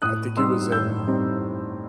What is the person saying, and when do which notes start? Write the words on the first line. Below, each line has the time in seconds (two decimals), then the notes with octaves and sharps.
I think it was in
0.02 A2 D#6 F#6
0.37 G3 C4 D#4 C6 E6
0.72 A2 E6 G6
1.07 G3 C4 D#4